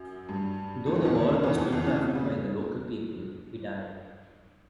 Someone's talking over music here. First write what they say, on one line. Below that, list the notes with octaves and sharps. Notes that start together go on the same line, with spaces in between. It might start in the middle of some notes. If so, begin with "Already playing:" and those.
Though the boy was looked after by the local people, he died.
Already playing: F#2 F#3
G2 G3
F2 F3
E2 E3
D#2 D#3
D2 D3
C#3
E2 E3
F2 F3
E2 E3
C#3
C3
C#3